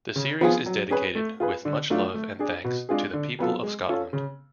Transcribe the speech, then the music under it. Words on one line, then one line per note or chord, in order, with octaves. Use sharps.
The series is dedicated "with much love and thanks to the people of Scotland".
C#3
F3 B3 F4 G#4
F#3
C#4 G#4 B4
A3
F4 G#4 B4
D3
F#3 A3 D4 F4
A3
D4 G#4
B2
G#3 D4 F4 G#4
D3
F#3 B3 F4 A4
G#3
C#4 F4 A4
C#3